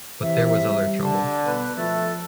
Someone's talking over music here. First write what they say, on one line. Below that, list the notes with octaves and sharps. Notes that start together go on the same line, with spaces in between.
But there was other trouble.
C3 E3 E5
G3
D3 A5
B2 B4
F3 A3 A4